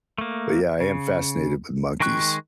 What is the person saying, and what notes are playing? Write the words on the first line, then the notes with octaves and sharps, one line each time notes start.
but, yeah, I am fascinated with monkeys.
A3 A#3
C#3
D#3 G#3 G5 C#6 F#6